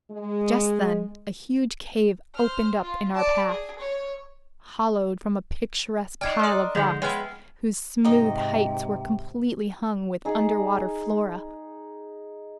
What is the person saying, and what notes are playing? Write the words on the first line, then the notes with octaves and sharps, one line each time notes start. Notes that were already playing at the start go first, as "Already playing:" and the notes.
Just then a huge cave opened up in our path, hollowed from a picturesque pile of rocks whose smooth heights were completely hung with underwater flora.
G#3
C5 F6
F4
D5 A5
G#4
C#5
D4 D#4 G5 F6 G#6 C7
A4 D5 C6 D#6 F6
G#2 D3 F3 G#3 G6 F7 F#7
G#3 B3 B4 C#5 E5 G5 G#5 F6
G#2 C3 D#4 D#5 G5
D#4 G#4